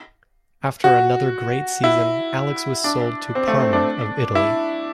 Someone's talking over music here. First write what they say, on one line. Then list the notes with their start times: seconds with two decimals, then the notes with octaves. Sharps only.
After another great season, Alex was sold to Parma, of Italy.
0.84 F#4
1.84 E4
2.84 D4
3.35 C4
3.48 A3
3.60 C4
3.73 D4
4.35 E4